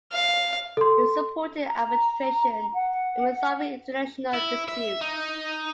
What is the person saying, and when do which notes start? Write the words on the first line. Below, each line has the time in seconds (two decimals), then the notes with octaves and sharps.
He supported arbitration in resolving international disputes.
0.13 F5
0.77 A4 C6
1.68 A#5
2.75 F#5
4.33 E4
4.69 E5
5.01 D#4